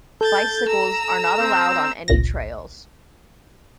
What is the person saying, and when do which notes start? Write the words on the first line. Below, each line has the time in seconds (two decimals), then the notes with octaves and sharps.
Bicycles are not allowed on any trails.
0.21 A4 G6 A6
0.68 A#5 E6
1.39 C4
2.08 G#1 C#2 A#2 A#6